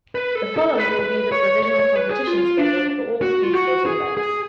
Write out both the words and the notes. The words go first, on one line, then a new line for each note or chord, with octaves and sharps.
The following will be the provisional competition schedule for all speed skating events.
B4
A4
A4
B4
B4
C#5
C#5
C#5
B4
G#4
F4
D4
F#4
F4
F#4
G#4
G#4